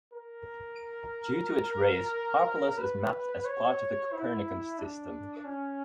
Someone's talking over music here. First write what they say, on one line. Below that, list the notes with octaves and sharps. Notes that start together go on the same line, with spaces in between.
Due to its rays, Harpalus is mapped as part of the Copernican System.
A#4
B4
C#5
E4
D4
C#4